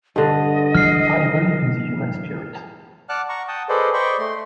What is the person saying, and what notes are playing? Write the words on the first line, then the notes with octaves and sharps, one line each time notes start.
I believe in the human spirit.
G2 D3 D#5
E3 F#3 G#3 F6 C7
D5 F#5 A5 D6 F6 F#6
F#5 A#5 C#6
F#5 G5 A5 D#6
G#4 A4 B4 C5 D5 D#5
C5 D5 D#5 G5 B5 C#6
A3 C6